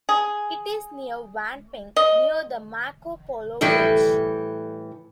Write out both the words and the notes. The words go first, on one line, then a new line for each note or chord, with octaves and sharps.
It is near Wanping, near the Marco Polo Bridge.
G#4
D#5
A2 E3 G3 A4